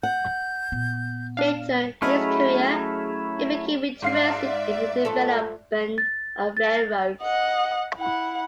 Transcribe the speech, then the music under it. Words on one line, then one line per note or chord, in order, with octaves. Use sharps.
Later in his career, he became interested in the development of railroads.
F#5 G6
A#2 B3
D4 F5
F#3 A3 C#4 E4 G#4 D#5 B5 F6
G#2 D5 E5 F5 C7
F3 A3 A4
A6
A6
D#5 F#5
E4 F#5